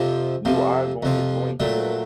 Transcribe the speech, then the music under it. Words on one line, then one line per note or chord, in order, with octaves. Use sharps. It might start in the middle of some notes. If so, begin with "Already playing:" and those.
you are goin it's going to,
Already playing: F2 C3 F3
F2 C3 F3
F2 C3 F3
A#2 F#3 A3